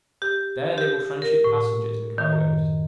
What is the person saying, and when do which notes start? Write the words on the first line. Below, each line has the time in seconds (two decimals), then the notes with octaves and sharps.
There they will tranship passengers and cargoes.
0.22 G4
0.78 G4
1.22 A#4
1.44 A2
2.18 D#3
2.33 F#2